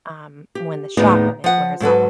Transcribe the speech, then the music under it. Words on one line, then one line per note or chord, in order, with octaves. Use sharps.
um, when the shock of it wears off
G4
D#2 A2 B3 D#4 G#4 D5
F3 F#5
G#2 F#3 A4 B4